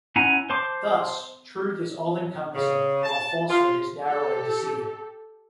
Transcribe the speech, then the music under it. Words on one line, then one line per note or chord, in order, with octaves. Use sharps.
Thus, truth is all-encompassing, while falsehood is narrow and deceiving.
C#4 E4 F#5 G#5 A#5
C5 A5 C6 D6
C#3
A5
F4
G4 A4